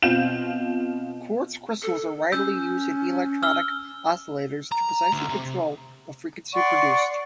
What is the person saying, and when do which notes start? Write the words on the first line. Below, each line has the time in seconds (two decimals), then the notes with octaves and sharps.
Quartz crystals are widely used in electronic oscillators to precisely control the frequency produced.
0.02 B2 C4 F4 F5 G6 E7
1.82 A4
2.32 C#4 E6 G6
3.43 E6 F6 G7
4.72 A#5
5.13 D2
5.29 C3
6.53 D5 F#5 C6 C#6